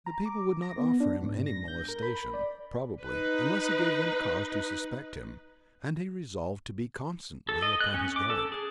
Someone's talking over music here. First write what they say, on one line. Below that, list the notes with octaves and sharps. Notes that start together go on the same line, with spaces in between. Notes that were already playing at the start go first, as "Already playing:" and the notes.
The people would not offer him any molestation, probably, unless he gave them cause to suspect him, and he resolved to be constantly upon his guard.
A#5
D6
A#6
B3
D4
G#2
A#6
G6
A#4
B5
B5
D5
D#4 B4
A4
D#5
F#6
C#4
D6
A4
G#4